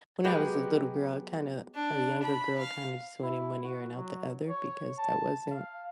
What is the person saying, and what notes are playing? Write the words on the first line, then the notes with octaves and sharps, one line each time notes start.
when I was a little girl, I kinda or younger girl kinda just went in one ear and out the other, because that wasn't
F#3 G#3 B3 G4
D4
B5
F5
E4
F#4
F#3
C#5
A5
F5